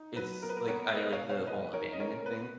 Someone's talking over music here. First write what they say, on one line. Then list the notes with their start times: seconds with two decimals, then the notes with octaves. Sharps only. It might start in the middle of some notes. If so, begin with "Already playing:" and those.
it's like, I like the whole abandonment thing.
Already playing: D#4
0.16 F#3 B4
0.42 B3 A#4
0.49 B4
0.57 A#4
0.68 B3 A#4 C#5
0.94 A#3 B4 D#5
1.12 C#5 F5
1.21 B2
1.29 C#5 F5
1.47 F3 B4 D#5
1.73 D#4 A#4 C#5
1.93 D#5
2.00 C#3 A#4 C#5
2.19 A#4
2.25 B3 B4